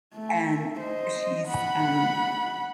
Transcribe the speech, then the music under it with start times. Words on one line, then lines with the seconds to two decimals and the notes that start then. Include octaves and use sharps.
and she's, um,
0.14 A3
0.80 C5 D#5
1.47 F#5 B5